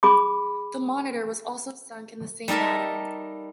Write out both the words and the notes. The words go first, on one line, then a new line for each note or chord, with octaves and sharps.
The monitor was also sunk in the same battle.
G#4 B5 D6
G3 D#4 A4 A#4 E5